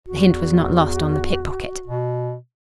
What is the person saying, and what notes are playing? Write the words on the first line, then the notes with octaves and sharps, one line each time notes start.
The hint was not lost on the pick-pocket.
E2 F#4
B2